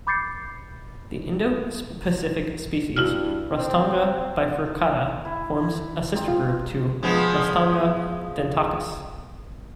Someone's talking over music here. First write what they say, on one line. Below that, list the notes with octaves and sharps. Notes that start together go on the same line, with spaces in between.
The Indo-Pacific species "Rostanga bifurcata" forms a sister group to "Rostanga dentacus".
B5 D6 G6 A6 C7 C#7
G2 E4 F#4 F6
C4
E4
F3 C4 D#4
F4
F3 G#3 B3